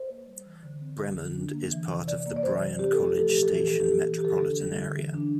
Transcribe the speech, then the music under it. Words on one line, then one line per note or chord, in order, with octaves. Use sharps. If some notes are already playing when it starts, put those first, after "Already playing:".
Bremond is part of the Bryan-College Station metropolitan area.
Already playing: C5
A#3
G3
E3
D3
C4
G3
D3
D4
A#3
E3
C3
C3 D5
A#3
D5
E3 C5
C3
C4 G4
A4
A3
G4
F3 A4
A#2 G4
A4
E3 G4
D4 A4
G4
A#3
E3
G4
D3 A4
D4
G3
D3
E3
D4